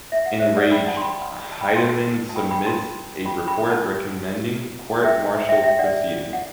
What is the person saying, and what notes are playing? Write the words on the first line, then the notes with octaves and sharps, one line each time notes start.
Enraged, Heidemann submits a report recommending court martial proceedings.
E5
F#5
C5 E5
D5 F#5
G5 B5
F#5 A5
C6
G5 B5
A5
G5 B5
A5 C6
A5
G5 B5
G5 B5
A5 C6
G5 B5
G5 B5
F#5 A5
E5 G5
E5 G5
E5 G5
D5 F#5
F#5